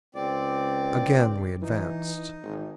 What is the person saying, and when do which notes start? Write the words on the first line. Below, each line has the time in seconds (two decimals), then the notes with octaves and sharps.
Again we advanced.
0.15 C#2 C4 D5
1.62 E3 D#4
2.43 G#1